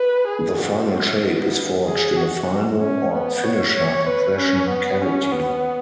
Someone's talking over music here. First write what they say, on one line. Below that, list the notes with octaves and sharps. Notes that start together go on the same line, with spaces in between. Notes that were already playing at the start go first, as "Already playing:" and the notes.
The final shape is forged in a "final" or "finisher" impression cavity.
Already playing: B4
G#4
F#4
B3
G#4
F#4
C#4
B3
C#5
C#5
B4
C#4
B3
C#4
B3